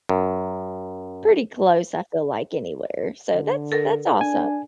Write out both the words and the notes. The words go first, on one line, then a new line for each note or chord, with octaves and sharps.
pretty close, I feel like anywhere so that's that's awesome.
F#2
D3
A4 A#4
D4 G#5